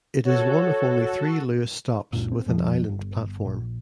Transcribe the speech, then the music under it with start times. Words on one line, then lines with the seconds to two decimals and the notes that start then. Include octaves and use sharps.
It is one of only three Luas stops with an island platform.
0.25 F#4 A4 C#5
2.13 C#2 F#2 A#2
2.32 C4
2.46 F1 A#1 F2 F3
2.89 G1
3.45 A#1